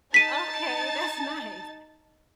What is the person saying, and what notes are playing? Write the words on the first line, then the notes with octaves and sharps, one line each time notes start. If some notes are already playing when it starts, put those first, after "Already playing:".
Okay, that's nice.
D#4 A5 A6 B6 D#7